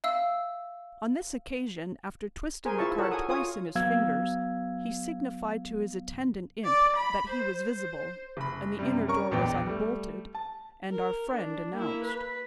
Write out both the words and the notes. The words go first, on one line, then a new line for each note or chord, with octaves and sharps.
On this occasion, after twisting the card twice in his fingers, he signified to his attendant imp that he was visible; and the inner door was unbolted, and our friend announced.
E5 F5 E6
G#4 A#4 C5 G#5
E4 F4 E5 A5 C#6
F#4 A4 A#4 C#5 F#5
G#5 D#6
F4 C#5 G#5 D#6
F#3 B3 F5 E6 G#6
D5
B5
C5
C5
F#1 B5
F#2 C3 G3
G3 C#4 A#4 C#6
A#1 E2 B2 G5
G3 A3
A5
A#4
D4
A#3 E4
B4